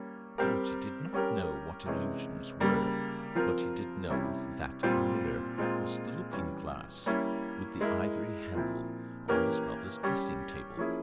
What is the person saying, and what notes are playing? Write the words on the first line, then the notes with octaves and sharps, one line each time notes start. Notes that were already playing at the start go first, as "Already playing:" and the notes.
Georgie did not know what illusions were, but he did know that a mirror was the looking-glass with the ivory handle on his mother's dressing-table.
Already playing: G3 A#3 C#4
G3 C4 G4 A#4
G3 C#4 G4 A#4
C3 E3 G#3 C#4
C#3 G3 A#3
F3 C4 F4 A#4
C3 G3 C#4 E4
A#2 G3 C4 F4
A#2 G#3 C4 F4
E3 G3 C#4
G3 A#3 C#4 E4
G#3 E4 A#4
A#2 F3 C4 E4
E3 A#3 C#4 G4 A#4
G3 C#4 G4
F3 A#3 C#4 E4 G#4